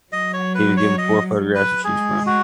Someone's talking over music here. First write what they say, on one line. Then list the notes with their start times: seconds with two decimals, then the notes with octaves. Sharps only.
He was given four photographs to choose from.
0.12 F#3 D#5
0.33 C#5
0.55 B4
0.77 C#5
0.98 D#5
1.55 B4
1.84 G#3 G#4
2.26 F#4